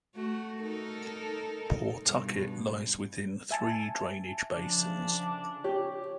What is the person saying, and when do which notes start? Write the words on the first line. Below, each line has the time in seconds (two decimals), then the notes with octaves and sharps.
Pawtucket lies within three drainage basins.
0.15 A3 F#4
0.60 D#4 A4 A#4
2.02 G2 B2
3.51 E5 G#5 A5
4.52 C#3 F3 D4
5.64 G4 C#5